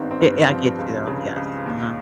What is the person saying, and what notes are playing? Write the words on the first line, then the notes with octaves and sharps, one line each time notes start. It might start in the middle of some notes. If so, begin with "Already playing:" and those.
It yeah, I get you, though yes, uh-huh.
Already playing: G#1 G2 D#3 B3 C4
C4
G2
B3
B3
F3 C4
C#2
C#3
C#2
D#2